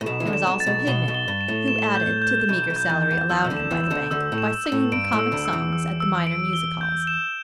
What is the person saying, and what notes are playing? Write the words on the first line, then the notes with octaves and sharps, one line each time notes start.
There was also Hignett, who added to the meagre salary allowed him by the bank by singing comic songs at the minor music halls.
A2
B1 B2 E7
E3
D2 D3
E7
B1 B2
A6
B1 B2
B1 B2 G7
B1 B2
G7
G2
E7
A2
E7
G6
G6
B1 B2 G6
B1 B2
G6
E2 E3
G6
E2 E3
E2 E3 E6
B2
D2 D3
E7
E2 E3
E7
D2 D3
D2 D3 E6
A2
E7
E6
A2
G2 D7
A2
E6
D2 D3
E6
E2 E3
E6
E6
D7
G7
G6
E7